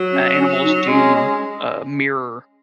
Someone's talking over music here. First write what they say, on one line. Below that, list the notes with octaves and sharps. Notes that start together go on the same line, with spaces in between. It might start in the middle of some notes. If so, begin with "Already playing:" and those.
a animals do, uh, mirror,
Already playing: F#3
C#4
C#4
D#4
G#3 C#4
G#3